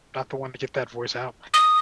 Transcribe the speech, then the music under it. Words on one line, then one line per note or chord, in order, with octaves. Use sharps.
not the one to get that voice out.
D#6